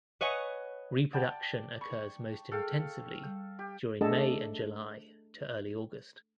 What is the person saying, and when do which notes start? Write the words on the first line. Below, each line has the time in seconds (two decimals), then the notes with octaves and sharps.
Reproduction occurs most intensively during May and July to early August.
0.21 B4 C#5 D#5 F#5 G#5
1.13 D5 F#5 G5 A5 B5
1.81 B5 C#6
2.52 G#4 A4 F5 G5
3.24 G3
3.59 G4
4.01 A3 D4 G#4 A4 D#5 A5